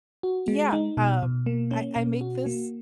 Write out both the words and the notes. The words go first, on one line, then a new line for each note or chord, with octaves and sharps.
Yeah, um, I I make this
F#4
G#3
D#4
B2
B2
A#3
C#4
B2
F#4
A#3